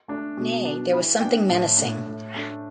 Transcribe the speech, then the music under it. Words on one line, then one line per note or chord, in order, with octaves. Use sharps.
Nay, there was something menacing.
A3 D4
B2
B3 D4
E3 B5
B3 D4 G5
A2 A5
A3 D4
A2
A3 D4